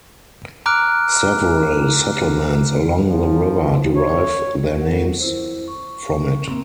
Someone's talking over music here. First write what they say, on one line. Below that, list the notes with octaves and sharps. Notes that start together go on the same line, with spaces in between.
Several settlements along the river derive their names from it.
A#5 D6 F6 F#6 D7
F3
C#5
A#4 F#5
E4 C5
C#6
A#3 C4